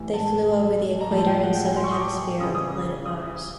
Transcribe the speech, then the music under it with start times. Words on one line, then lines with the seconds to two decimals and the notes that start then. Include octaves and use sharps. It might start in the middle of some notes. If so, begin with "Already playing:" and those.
They flew over the equator and southern hemisphere of the planet Mars.
Already playing: A2 E3 G3
0.14 A5
1.00 A#5
1.11 A2 F3 G#3 A5
1.26 G5
1.43 F#5
1.54 G5
1.65 G#5
1.76 C6
1.84 C#6
1.91 D#6
2.00 D6
2.40 C#3 E3 G3 D#6
2.55 D#6
3.05 D#6
3.22 D#6